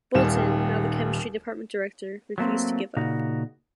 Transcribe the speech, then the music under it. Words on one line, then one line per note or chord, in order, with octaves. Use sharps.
Bolton, now the Chemistry department director, refused to give up.
D#1 D#2 G3 E7
F#3 A3 A#3 C4
A#2 C#3 D#4 F#4